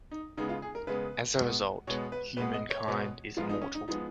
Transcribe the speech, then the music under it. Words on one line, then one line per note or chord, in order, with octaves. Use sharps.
As a result, humankind is mortal.
D#4
C#3 G#3 B3 D#4
F4
G#4
A#4
C#3 G#3 B3 B4
B2 G#3 B3
B2 G#3 B3 C#5
B4
B2 G#3 B3 B4
D#5
C#5
B2 G#3 B3
G#2 F3 G#3 B3 F4
D#4
C#4
D#4
F3 G#3 B3 D#4